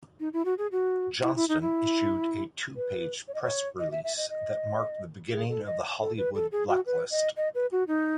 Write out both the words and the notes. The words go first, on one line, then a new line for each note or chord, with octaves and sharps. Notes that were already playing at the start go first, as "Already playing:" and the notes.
Johnston issued a two-page press release that marked the beginning of the Hollywood blacklist.
D#4
E4
F#4
G#4
F#4
E4
E4
D#4
E4
B4
C#5
D#5
C#5
D#5
E5
E5
D#5
D#5
G#4
A4
D#5
A4
B4
A4
G#4
F#4
B4
D#5
D#5
B4
F#4
D#4